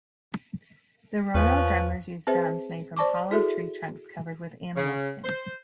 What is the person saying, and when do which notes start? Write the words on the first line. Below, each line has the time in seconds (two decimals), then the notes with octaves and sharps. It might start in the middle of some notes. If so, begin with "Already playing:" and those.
The Royal Drummers use drums made from hollowed tree trunks covered with animal skins.
1.35 E2 F3 C#4 B4
2.27 C4 G#4 B4 C5 E5
2.97 C5 D5 A5 C#6 D6
3.31 E4 F#4 G#4 A4 E5
4.76 C#3
5.24 C5